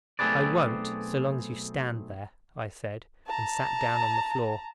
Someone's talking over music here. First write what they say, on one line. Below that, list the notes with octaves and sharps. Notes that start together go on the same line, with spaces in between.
"I won't, so long as you stand there," I said, and sat down on the floor.
B1 A3 C4 G#4 B4 D5
A5 A#5